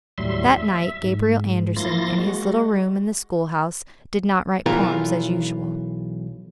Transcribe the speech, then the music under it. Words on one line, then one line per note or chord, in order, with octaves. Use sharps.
That night Gabriel Andersen in his little room in the schoolhouse did not write poems as usual.
D#2 A2 F#3 G3 E5 C6
E5
G#2
F3 A#3 E4 C6 A6 A#6
G#3 F#4
B1 E3 F4 A#4